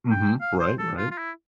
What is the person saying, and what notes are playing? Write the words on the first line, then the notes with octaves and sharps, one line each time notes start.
Mhm, right, right.
G5
F5
C5
A4
F4
F4
E4